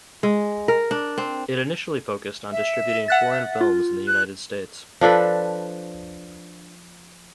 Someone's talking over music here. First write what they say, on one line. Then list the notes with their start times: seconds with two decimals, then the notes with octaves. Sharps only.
It initially focused on distributing foreign films in the United States.
0.23 G#3
0.68 A#4
0.91 D4
1.18 C4
2.52 E5
3.08 F#5 F#6 A6
3.61 F4
4.07 F#6
5.01 F3 D4 A4 B4